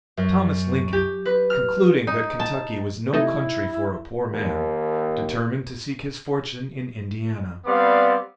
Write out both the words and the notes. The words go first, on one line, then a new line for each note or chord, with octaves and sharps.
Thomas Lincoln, concluding that Kentucky was no country for a poor man, determined to seek his fortune in Indiana.
F#2
G4
B4
F6
D#4
A5
C3 A3 D#4 E4
D#2
G3 B3 C4 D5 F5 D6